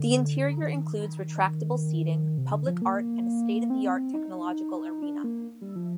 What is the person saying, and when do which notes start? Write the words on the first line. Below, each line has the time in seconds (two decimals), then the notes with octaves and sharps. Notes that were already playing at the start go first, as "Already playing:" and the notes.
The interior includes retractable seating, public art and a state-of-the-art technological arena.
Already playing: D3
0.62 D#3
2.38 C3
2.53 D3
2.67 F3
2.82 A#3
3.70 C4
4.14 D#4
5.02 D4
5.24 A#3
5.61 G3
5.76 F3